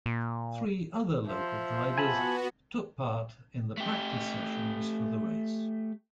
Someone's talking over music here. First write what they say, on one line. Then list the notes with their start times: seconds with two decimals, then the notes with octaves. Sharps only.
Three other local drivers took part in the practice sessions for the race.
0.06 A#2
1.28 F3 C5 E5
1.98 B3 F#4 G#5 A5 B5
3.77 A3 G4